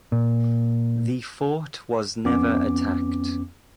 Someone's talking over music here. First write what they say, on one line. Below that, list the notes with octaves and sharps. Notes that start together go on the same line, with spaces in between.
The fort was never attacked.
A#2
F2 B3 C#4 D6